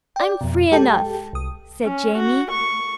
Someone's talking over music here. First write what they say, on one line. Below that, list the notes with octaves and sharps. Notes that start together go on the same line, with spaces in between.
"I'm free enough," said Jamie.
D5 G5
F2 B2
G#3 G4 A4 G5 A5
C2 D#6
C#4
F#4
C#6